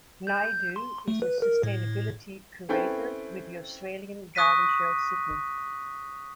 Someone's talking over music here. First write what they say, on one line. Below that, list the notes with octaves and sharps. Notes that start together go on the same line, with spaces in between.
Naidoo is the sustainability curator with the Australian Garden Show Sydney.
G6
C6
A3
B4
A#4
A2
C4 C#4 E4 A4 B4 G5
C#6 D#6 F#6 A#6 B6 D#7